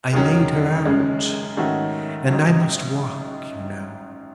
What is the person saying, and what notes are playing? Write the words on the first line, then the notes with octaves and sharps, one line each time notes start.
I laid her out; and I must walk, you know.
E1 D#2 D#3 F#3 C#4
F#1 F#2 C#3 G#3 C#4
G#2 D#3 A3 C#4 F#4
A1 G#2 F#3